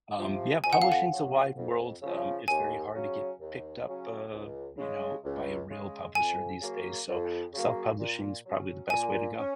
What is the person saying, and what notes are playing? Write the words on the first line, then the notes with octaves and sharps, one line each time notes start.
um, yeah, publishing's a wide world, um, it's very hard to get picked up, uh, you know, by a real publisher these days, so self-publishing's probably the best way to go.
C3 F3
F2 G#5
F#5
F5
F#5
C#3 F3
F2
C#3 F3
D#2 G#5
C#3 F#3 C#4
D#2
C#3 F#3 C#4
C#2
C#3 G#3
C#2
C#3 G#3
F2 G#5
C#3 F#3 A#3
F2
C#3 F#3 A#3
A#2
F#3 C#4
A#2 G#5
C#4